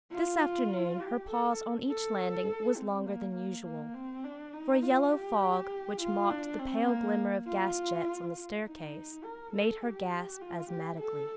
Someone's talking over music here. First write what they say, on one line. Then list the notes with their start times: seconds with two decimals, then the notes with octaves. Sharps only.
This afternoon her pause on each landing was longer than usual, for a yellow fog, which mocked the pale glimmer of gas-jets on the staircase, made her gasp asthmatically.
0.11 F4
1.00 G4
1.30 A4
1.89 A4
2.77 C4
3.06 A#3
3.35 A#3
3.65 A#3
3.94 C4
4.24 D4
4.53 D#4
4.83 F4
5.12 G4
6.00 F4
6.30 D4
6.59 C4
6.89 A#3
7.47 F4
8.65 D#4
9.24 A#4
9.53 A4
9.82 G4
10.42 F4
10.70 G4
11.00 A4